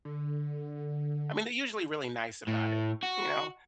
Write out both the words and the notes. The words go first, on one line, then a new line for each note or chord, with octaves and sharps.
I mean, they're usually really nice about it, you know.
D3
A2
F#4